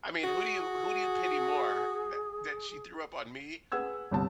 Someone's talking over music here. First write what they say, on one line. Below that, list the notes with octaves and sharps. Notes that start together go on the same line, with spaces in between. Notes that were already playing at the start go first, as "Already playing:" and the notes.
I mean, who do you who do you pity more, that that she threw up on me,
F#4 G#4
G#4 B4 F#5 E6 G#6
G1 C2 A5